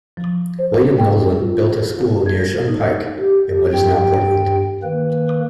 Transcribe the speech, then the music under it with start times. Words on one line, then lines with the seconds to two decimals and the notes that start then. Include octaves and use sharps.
William Nolan built a school near Shun Pike in what is now Portland.
0.17 F3
0.59 C5
0.98 G5
1.41 F4
2.26 G#6
2.68 D#4
3.18 G4
3.72 G2 G5
4.83 D#3 A#3 B4